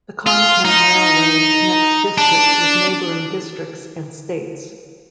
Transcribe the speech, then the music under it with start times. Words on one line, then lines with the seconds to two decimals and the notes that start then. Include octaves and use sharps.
The Konkan railway connects district with neighboring districts and states.
0.27 F4
0.65 D#4
2.18 D4